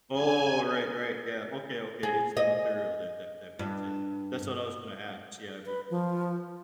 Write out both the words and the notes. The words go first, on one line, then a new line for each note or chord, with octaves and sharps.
Oh, right, right yeah, okay, okay, it's the material, then, that that makes it that's what I was gonna ask see how big was
G#5
G#4
D#5
G2
B4
F3